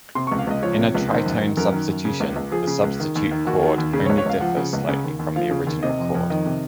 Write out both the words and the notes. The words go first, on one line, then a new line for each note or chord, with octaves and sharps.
In a "tritone substitution", the substitute chord only differs slightly from the original chord.
C3 C6
C#6
C#2
F5
C#2 D#5
F3 C#5
C3
C#2
D#3 C5
F#2
D#3
F#2 A#4
D#3
F#2
C#3
C#2
C#2
F3 G#4
C#3
C#2
D#3
D#2
D#3
D#2 F#4
D#3
D#2
C#3 G#4
C#5
C#2
C#5
C#2 F5
F3 F#5
C#3
C#2
C#3
D#2
D#2
F3 F5
C#3
D#2
C3 D#5
F2
F2
D#3 D#5
C3